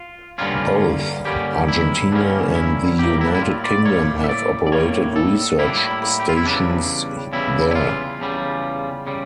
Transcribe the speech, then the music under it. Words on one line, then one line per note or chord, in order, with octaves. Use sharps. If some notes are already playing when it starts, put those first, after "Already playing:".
Both Argentina and the United Kingdom have operated research stations there.
Already playing: F4
G2 D3 G3 A#3 C#4 F4
G2 D3 G3 A#3 C#4 G4
E4
G2 D3 G3 A#3 C#4 D4
E4
A2 G3 A#3 G4
E4
D4
E4
F4
D5
A2 G3 A#3 C#5
E5
D5
D5
A2 G3 A#3 C#5
A4
A2 G3 A#3 E4
D4
E4
E4
G4
F4
E4
E2 C#3 G3 D4
E2 C#3 G3 E4
E4
F4
E2 C#3 G3
C#3 G3